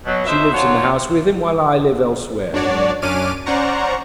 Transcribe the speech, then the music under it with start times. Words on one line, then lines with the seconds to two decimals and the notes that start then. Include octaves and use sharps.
She lives in the house with him, while I live elsewhere.
0.05 B2 F#3
0.26 F2 B2 D#4 C5 E5
0.53 F3 F#3 D4 F4 F#4 C#5
2.52 G#1 F#2 D4 F#4 C#5 D5
3.02 F#2 C#4 D4 D6 F6 D#7
3.46 C#4 C5 D5 F#5 A#5 C#6